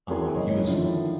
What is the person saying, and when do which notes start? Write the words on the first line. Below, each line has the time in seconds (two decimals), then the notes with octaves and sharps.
Um, he was
0.09 A#3 C4 E4 F#4 G#4
0.33 F#1 C#5 D#5
0.67 D3 D#3 F3 E4